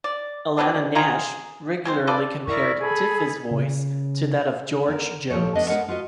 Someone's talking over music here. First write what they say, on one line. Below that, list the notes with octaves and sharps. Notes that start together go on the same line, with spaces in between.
Alanna Nash regularly compared Diffie's voice to that of George Jones.
D5
C3 F#3 B3 D4
D#4 F4 G#4 A#5
G#3 C4 C5
F4 A4 B4 D5
E4 A#4 D5 C#6
G#4 A4 B5
C#3
B3 A#4
F3 G4 A4 C#5
B3 D4 D#5
G#3 B3 D4 A#4 C#5 F#5
F4 F#4 B4 D#5